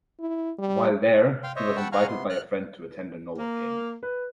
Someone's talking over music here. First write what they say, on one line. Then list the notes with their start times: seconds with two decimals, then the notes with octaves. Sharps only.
While there he was invited by a friend to attend a Norwood game.
0.19 E4
0.59 G3
1.44 F5 G5 C6
1.56 C5 C#5 D#5 E5
1.77 F#5 G5 A5 B5 C#6 E6
1.92 F5 F#5 G#5 A#5 C#6 F6
2.08 C3 B3 C6
2.29 F6 F#6
3.38 A#3
4.03 B4